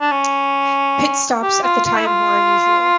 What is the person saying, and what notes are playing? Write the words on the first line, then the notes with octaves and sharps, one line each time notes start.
Pit stops at the time were unusual.
D4
C#4
G4
F4
F4
E4
F4